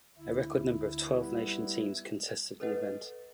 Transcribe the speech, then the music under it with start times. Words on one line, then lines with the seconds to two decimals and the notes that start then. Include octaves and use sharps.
A record number of twelve nation teams contested the event.
0.18 D2 E4
1.09 G3 B3 E4
2.60 A4 B4 C#5 D#5 F#5